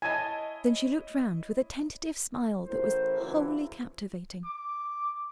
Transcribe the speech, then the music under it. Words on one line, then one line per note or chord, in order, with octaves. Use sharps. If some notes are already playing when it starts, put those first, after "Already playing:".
Then she looked round with a tentative smile that was wholly captivating.
E4 C#5 D#5 G#5 A5
A1 A2 A#4 C5
C#2 E3 F#3 C4 E4
D6